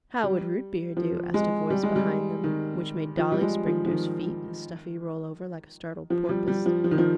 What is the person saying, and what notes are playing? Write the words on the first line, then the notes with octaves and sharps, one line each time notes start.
'How would root-beer do?' asked a voice behind them, which made Dolly spring to his feet and Stuffy roll over like a startled porpoise.
G3
F3
G#3
G3
G#3
G3
D#3
F3
G3
G#3
F3
F3
D#3
F3
G3
G3
F3
F3
D#3
F3